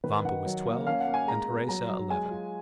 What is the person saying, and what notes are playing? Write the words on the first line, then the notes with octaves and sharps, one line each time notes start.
Vampa was twelve, and Teresa eleven.
D#3 B4
D#3 F#5
F#3
A#3
C#4 F5
F#5
A#3
G#5
G#3 A#5
B3
F#3 A#5
F#3
G#3 G#5
F4